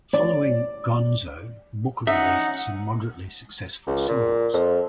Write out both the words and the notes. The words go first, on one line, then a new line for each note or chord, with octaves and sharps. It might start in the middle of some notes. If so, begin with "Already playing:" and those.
Following "Gonzo", Booker released some moderately successful singles.
D5
C#4 D#4 E5 F#5
C#2
A#2
F2